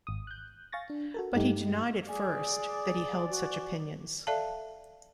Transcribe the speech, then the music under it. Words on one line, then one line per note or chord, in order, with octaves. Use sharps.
But he denied at first that he held such opinions.
G#1 D#6
F#6 G6
F5 G#5 C#6 A6 A#6
D4
F#4 A4 A#4
G2 A3 D#4 G4
G#4 D5 G#5
F#4
A4 D5 E5 F5 A5